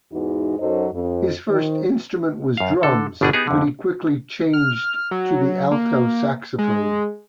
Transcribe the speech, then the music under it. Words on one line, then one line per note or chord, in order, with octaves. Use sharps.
His first instrument was drums, but he quickly changed to the alto saxophone.
E2 G#2 E3 G#3 D#4 F#4
F#2 F#3 D#4 A4 C5 D#5
F2
D#3 C5
F#2 F5
D3 A4
G1 B2 D4 D#4 G#4
B3 D#4 G4 G#4
F2 D3
F6
F#3
A#3
G#3